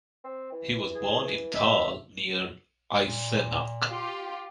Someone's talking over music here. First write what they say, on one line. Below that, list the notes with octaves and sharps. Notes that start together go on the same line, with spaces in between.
He was born in Thal near Eisenach.
C4
E3
G#4
D#4 E5
A#2
F4 G4